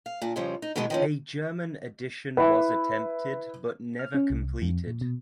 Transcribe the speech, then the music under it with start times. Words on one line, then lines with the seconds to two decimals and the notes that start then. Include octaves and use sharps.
A German edition was attempted but never completed.
0.06 F5
0.22 A#2 D4
0.36 F2 C#3 F3 G3
0.62 D#4
0.76 B2 D#3 E3 G#3 B3
0.90 D#3 F3 C#4
2.37 E4 B4
3.99 F6
4.14 C#4
4.30 C2
4.62 F2
4.87 A#2
5.01 B2